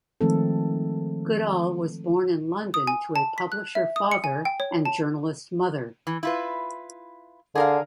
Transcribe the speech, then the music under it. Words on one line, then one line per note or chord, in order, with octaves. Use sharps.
Goodall was born in London to a publisher father and journalist mother.
D#3 F3 G#3 A3 C4 A4
D#6
G#5
A5
B6
F#6
E5
D#6
C#7
G#5
G5
C#5
A5
E3
E4 F4 B4
D3 G#4 A#4 F5